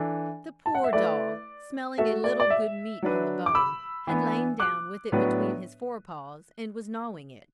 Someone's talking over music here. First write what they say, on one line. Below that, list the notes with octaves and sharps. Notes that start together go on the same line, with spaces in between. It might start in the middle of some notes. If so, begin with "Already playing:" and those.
The poor dog, smelling a little good meat on the bone, had lain down with it between his fore paws and was gnawing it.
Already playing: E3 D4 A4
A5
F#5
E5
A3 E4 B4 D5
A3 F#4 A4 E5
D5
D5
E5
F#3 D4 B4
D6
B5 E6
E3 B3 D4
D6 F#6
A2 F#3 B3 D4 B4